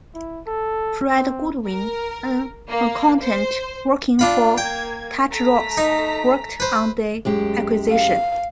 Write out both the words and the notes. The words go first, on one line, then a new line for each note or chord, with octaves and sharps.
Fred Goodwin, an accountant working for Touche Ross, worked on the acquisition.
E4
A4
C4
A#4
A#3
C5
D4 F4 B5
A#3 G5 G#6
A3 A#5 B6
D#4
B4 C5
F#2 G#3 G4
F5